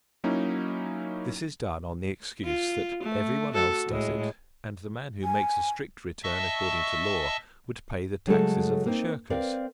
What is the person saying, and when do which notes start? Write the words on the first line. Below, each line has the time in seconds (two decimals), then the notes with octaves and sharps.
This is done on the excuse that everyone else does it, and the man who makes a strict return according to law would pay the taxes of the shirkers.
0.24 F#3 A#3 C#4 D#4 E4
2.44 F4
3.03 A3
3.54 F#4 A4
3.87 A2 G#3
5.24 G#5
6.23 D#5 E5 A5 C#6 E6
8.27 C#3 F#3 G#3 A3 F#4 A4
8.86 A#3 C4 D#4
9.30 C4 A#4 D5 F5